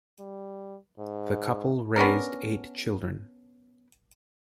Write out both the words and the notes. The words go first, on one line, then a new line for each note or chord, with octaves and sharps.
The couple raised eight children.
G3
G#2
B3 C#4 D4 A#4